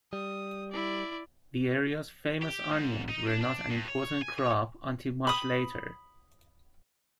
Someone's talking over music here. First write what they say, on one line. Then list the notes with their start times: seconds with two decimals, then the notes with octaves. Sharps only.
The area's famous onions were not an important crop until much later.
0.13 G3 D#6
0.71 E4 D5
2.42 G4
2.72 G#2
3.09 D#4
3.27 D4
3.41 D4
3.70 G2
3.88 C#5
4.22 G#5
4.39 C#5
5.27 B5 D#6